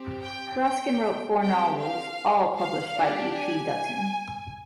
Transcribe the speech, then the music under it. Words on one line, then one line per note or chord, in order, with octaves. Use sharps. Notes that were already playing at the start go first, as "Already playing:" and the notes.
Raskin wrote four novels, all published by E. P. Dutton.
Already playing: C4 G4
G5
G5
C4 G4 G5
F5
F5
D4 G4
G#5